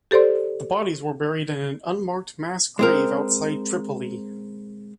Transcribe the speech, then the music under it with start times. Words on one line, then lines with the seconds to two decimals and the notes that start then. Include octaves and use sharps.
The bodies were buried in an unmarked mass grave outside Tripoli.
0.11 G4 A4 C5 D5 C6
2.79 G#3 C4 A#4